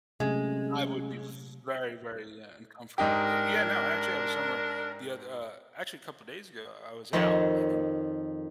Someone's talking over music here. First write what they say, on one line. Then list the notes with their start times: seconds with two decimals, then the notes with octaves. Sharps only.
I would be very, very uncomfortable. Li yeah, no, actually I was somewhere the other, uh actually a couple of days ago, I was out and
0.20 C3 F#3 G#3 A3 C#4
2.98 G#2 D4 D#4 G4 A#4
7.13 F2 D#3 C#5 D#5 A5 C6